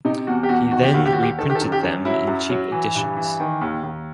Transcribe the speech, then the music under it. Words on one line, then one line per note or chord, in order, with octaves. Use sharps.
He then reprinted them in cheap editions.
C3 D#4
E2 F#4
G4
E2 F#4
D#3 F#4
G4
D#2 F#4
G4
D#2 F#4
G4
D#3 A4
G4
A4
F#2
G4
F#2
F#3 E4
F#2
F#3
E3
G2
E3
D#3
D#2
D#2